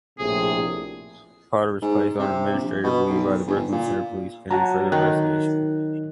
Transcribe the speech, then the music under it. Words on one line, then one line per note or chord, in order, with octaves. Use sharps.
Potter was placed on administrative leave by the Brooklyn Center police pending further investigation.
A#1 A2 C3 G#4
G#2
C3
A#1
B2
B1
G1
A#2
F#3 F#5 A5 A#5
D#3 D#4 F#6